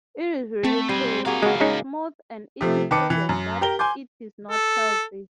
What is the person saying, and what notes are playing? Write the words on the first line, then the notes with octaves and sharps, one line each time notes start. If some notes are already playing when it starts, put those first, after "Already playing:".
It is really pale, smooth, and it is obvious that it is not healthy.
A3 C4
G3 C5 G#5
A#3 F#4 G#4 B4 F5
C#3 G#3 F#4
G#3 C#4 D#4
C3 F3 A3
D#3 B4 A5 D6 C#7
E3
F#2
G4 A#4 G7
G#5 C6 D6 G6
A4